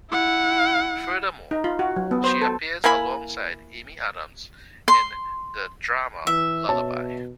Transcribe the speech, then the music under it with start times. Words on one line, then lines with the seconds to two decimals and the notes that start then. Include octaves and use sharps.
Furthermore, she appears alongside Amy Adams in the drama "Lullaby".
0.11 E4 F#5
1.51 D#4
1.64 F4
1.79 F#4
1.96 F#3
2.11 B3
2.24 C5
2.42 A4
2.84 A#3 E4 G#5 B5
4.88 C6
6.27 E3 E5
6.69 B2 C#5 A5